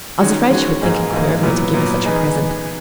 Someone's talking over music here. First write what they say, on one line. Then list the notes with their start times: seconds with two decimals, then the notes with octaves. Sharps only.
I was afraid she would think it queer of me to give her such a present.
0.19 D#3 G#3 C#4 F#4
0.50 D#3 G#3 C#4 F#4
0.81 G#2 E3 A#3 D#4 G#4
1.12 G#2 E3 A#3 D#4 G#4
1.43 A#2 F#3 B3 E4
1.73 A#2 F#3 B3 E4
2.04 E3 B3 D#4 G#4